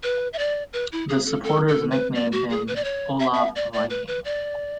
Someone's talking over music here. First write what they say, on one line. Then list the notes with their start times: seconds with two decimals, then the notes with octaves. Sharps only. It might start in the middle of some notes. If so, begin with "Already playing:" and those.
The supporters nicknamed him "Olav Viking".
0.03 B4
0.33 E5
0.39 D5
0.73 B4
0.92 E4
1.09 G#4
1.26 A4
1.44 A4
1.68 A4
1.91 B4
2.15 D5
2.32 F#4
2.50 G#4
2.68 B4
2.76 D5
2.84 C#5
3.20 E5
3.34 E5
3.56 D5
3.73 D5
3.90 B4
4.08 B4
4.25 D5